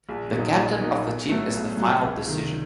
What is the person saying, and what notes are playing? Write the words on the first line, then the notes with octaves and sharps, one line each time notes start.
The captain of the team is the final decision.
A#1
A#2 F#3 A#3 D#4
A#1
A#2 F#3 A#3 D#4
B1
A2 F#3 A3
B1
A2 F#3 A3
C#2
C3 D#3